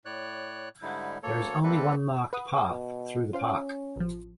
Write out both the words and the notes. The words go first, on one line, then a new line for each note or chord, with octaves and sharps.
There is only one marked path through the park.
A2 C#5 D5 F#6
G#2 D3 G3 D#4 E4
D2 A#3 A4 C#5
G3 A#3 C4 A4 B4
B4 F#5 D#6
B2
C#4 F4 C5 F5
A1 F3